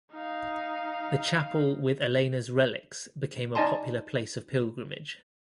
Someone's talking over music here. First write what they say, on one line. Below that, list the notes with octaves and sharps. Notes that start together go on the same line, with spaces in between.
The chapel with Alena's relics became a popular place of pilgrimage.
D#4 F5
D#4 D5 D#5 G#5 A5 C6